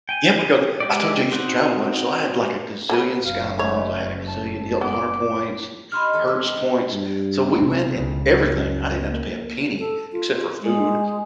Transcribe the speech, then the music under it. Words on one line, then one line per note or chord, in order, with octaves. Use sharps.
Yeah, because I told you I used to travel a bunch, so I had, like, a gazillion SkyMiles, I had a gazillion Hilton Honor points and Hertz points. So we went and everything. I didn't have to pay a penny except for food,
G5 G#5
G#3 G4 D5
C4 D#4 F#4
F#3 A4 B4
F#1 F5
A3 C#5
A5
B3 D6
D#4 G4 B5 C6 F6
E2 F#3 A4
G#3 C4 B4
D3
G2
B1 C3 C4
C#2 C#3
F#2
A#3
A4
F4
G#3